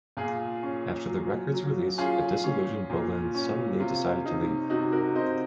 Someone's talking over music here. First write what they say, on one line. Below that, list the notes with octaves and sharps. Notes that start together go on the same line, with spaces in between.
After the record's release, a disillusioned Bolin suddenly decided to leave.
A#2 F4 G#4
C#4
F#3
F#3
C#4 F4 G#4
C#4
A#2
C#4
C3 F4
C3 D#4
C3 D#4 F#4
F#4 A#4
C3 C5 D#5